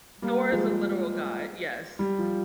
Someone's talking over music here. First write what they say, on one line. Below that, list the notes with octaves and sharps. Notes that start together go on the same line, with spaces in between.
Thor is a literal god, yes.
G3 A#3
F3 G#3
G3
F3